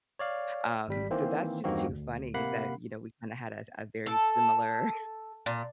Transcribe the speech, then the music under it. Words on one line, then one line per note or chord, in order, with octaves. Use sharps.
Um, so that's just too funny that, you know, we kinda had a a very similar
C#5 D5 F5
G#1 G3 B6
D#3 E3 A#3 C4 C5
E2 G2 D#3 A#3 C4 F#4
D2
C3 A#3 F#5 B5 C7
A4
A#2